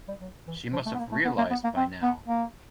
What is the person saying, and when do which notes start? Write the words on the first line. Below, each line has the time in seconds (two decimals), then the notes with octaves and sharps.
She must've realised by now.
0.08 G3
0.21 F#3
0.47 E3
0.73 F3
0.86 A3
0.93 B3
0.99 A#3
1.12 A3
1.25 B3
1.38 A#3
1.51 B3
1.64 A#3
1.76 C4
2.03 B3
2.28 A#3